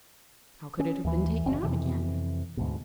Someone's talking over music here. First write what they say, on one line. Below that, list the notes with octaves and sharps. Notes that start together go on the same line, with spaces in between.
How could it have been taken out again?
C#4
D#2 E3
F#1
F2 C3 E3
D2 G#2 B2